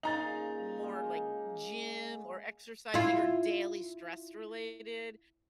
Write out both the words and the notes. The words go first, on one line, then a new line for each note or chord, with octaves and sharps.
more like gym or exercising or daily stress related,
A#2 C#3 D#4 F5 A#5 A6
G#3 A#3
E4 F4